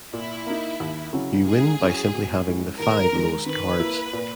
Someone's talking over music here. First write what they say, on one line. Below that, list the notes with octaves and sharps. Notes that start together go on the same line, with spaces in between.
You win by simply having the five lowest cards.
A#2 E4
A#3 D#4
D#2
C#3 F#3 C#4 E4
G#2 G#4
F#3 C#4 E4
B2
G#3 C#4 E4
D#2 A#4
D#3 G#3
D#3 B4
A#3 E4
A#2